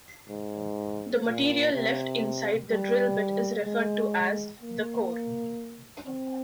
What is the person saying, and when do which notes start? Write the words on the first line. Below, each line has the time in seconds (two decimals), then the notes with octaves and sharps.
The material left inside the drill bit is referred to as the "core".
0.29 G#2
1.26 A#2
1.74 C3
2.70 G3
3.66 G#3
4.62 A#3
6.07 C4